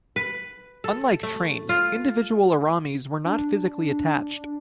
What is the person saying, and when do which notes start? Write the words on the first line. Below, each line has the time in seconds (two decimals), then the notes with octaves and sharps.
Unlike trains, individual Aramis were not physically attached.
0.16 B4
0.84 A4
1.23 A3
1.69 F4
3.25 D4